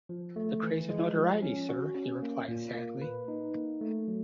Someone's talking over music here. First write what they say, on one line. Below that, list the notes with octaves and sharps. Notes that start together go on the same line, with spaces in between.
"The craze of notoriety, sir," he replied sadly.
F3
A3
E3
G#3
F3
C#4
F#4
C#4
A#3
A#2
A#3
B4
D#4
A#3
A3
F#3